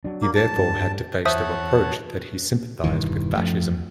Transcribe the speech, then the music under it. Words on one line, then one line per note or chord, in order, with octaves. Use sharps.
He therefore had to face the reproach that he sympathized with fascism.
F#3 D4
A#3
A5
G2 G3 D4
E2 C5 C#5 E5 F#5 A5 D#6
E1 G2 D#3 E3
F#2 F3 A3